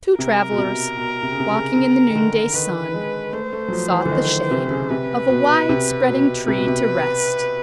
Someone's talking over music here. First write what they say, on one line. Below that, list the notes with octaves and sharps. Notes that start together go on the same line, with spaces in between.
Two Travellers, walking in the noonday sun, sought the shade of a widespreading tree to rest.
C3 A#4
B2
C3
B2
C3
C#3
C3
C#3
C#3
D#3
D3
D#3 B4
G#3
A3 C5
A3
F#3
F3
E3
D3
D#3
C3
C#3
C3 B4
B2
C3
B2
C3 B4
B2
C3